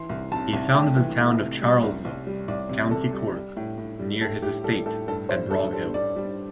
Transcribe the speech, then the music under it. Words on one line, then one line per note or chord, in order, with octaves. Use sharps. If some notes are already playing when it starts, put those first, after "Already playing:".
He founded the town of Charleville, County Cork, near his estate at Broghill.
Already playing: E3 C6
C2
C3 A5
C2
A3 G5
E3
A3
C3
G3
C2
C2
G3
C2 D5
C3
C3 A4
G3
G3
A2
A2
G3
A2 A4
A2 G4
G3 A4
A2 A4
G2 A4
G3 C5
G2 A4
G3 A4
G3 D5
G3